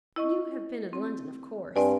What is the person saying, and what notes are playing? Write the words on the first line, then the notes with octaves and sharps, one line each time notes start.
You have been in London, of course.'
E4 D#5 C#6
C4
G2 C4 D5 G#5